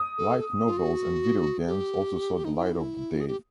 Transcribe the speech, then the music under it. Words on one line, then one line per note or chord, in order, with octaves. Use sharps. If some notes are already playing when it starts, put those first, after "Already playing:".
Light novels and video games also saw the light of the day.
Already playing: D#6
A4
F4
F#4
G4
D#4
E4
G#4
G4